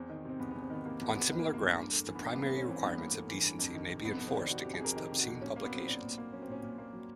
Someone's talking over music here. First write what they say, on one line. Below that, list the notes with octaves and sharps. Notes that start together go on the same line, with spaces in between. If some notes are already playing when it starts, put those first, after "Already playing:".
On similar grounds, the primary requirements of decency may be enforced against obscene publications.
Already playing: E2 C4
D#3
C3 C4
E2 B3
E2 B3
C4
D#3 B3
C3 A#3
E2 B3
E2 B3
D#3 B3
A#3
C3
A#3
E2
G2
A3
E3
B3
G2 A#3
G2 B3
C4
A3 C#4
E3 C4
G2 B3
G2 A#3
A3
E3
G2
F2
D#3
C3
F2 B3
F2 B3
C4
D#3 D4
C3 F#4
F2 G4
G#4
F2 A#4
D#3 G4
C3
F#4
F2
A#2 C#4
A#3 C#4
B3
F#3 C4
A#2 D4
A#2
A#3
F#3 C#4
C4
A#2 C#4
A#2
A#3
F#3